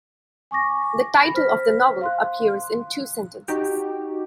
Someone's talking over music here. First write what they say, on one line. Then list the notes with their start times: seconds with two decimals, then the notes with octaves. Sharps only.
The title of the novel appears in two sentences.
0.51 G#5 C#6 D6 A#6
1.16 B5 A#6
1.34 C5 F6 B6
2.01 F5 C6 F#6
3.48 D#4 F#4 G4